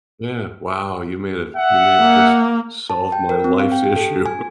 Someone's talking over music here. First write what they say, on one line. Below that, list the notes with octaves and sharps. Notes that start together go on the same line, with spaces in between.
Yeah, wow. You may have you may have just solved my life's issue.
E5 F#5
A#3
A5
G5
A#4
C4
F5
G5
G4
A4
G#5